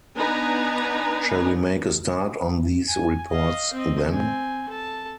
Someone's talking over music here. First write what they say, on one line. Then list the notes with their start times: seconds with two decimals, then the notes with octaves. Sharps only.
Shall we make a start on these reports then?
0.18 B3 D4 D#4 B4 G#5 A#5
2.88 G#5
3.30 D#5 F5
3.73 C4 D#5
4.12 C4 G#5
4.69 A4 A5